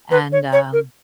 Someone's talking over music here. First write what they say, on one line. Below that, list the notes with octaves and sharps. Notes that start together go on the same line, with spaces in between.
and, um,
B4
C#5
C#5
A#4